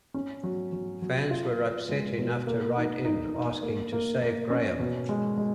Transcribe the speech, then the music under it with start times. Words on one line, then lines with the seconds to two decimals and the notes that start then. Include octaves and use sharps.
Fans were upset enough to write in, asking to save Graham.
0.14 C#4
0.43 F#3
0.73 F#3
1.02 F#3
1.31 F4
1.60 B3
1.89 G#3
2.18 B2
2.47 A#3
2.77 D#4
3.05 D#4
3.34 D#4
3.63 A#3
3.93 A#3
4.22 A#3
4.50 C#4
4.79 B2
5.09 G#3
5.37 G#3